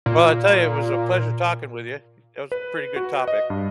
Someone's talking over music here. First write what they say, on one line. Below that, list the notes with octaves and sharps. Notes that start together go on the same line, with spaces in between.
Well, I tell you, it was a pleasure talking with you. It was pretty good topic.
A#2
B4
F#4
D#5
G2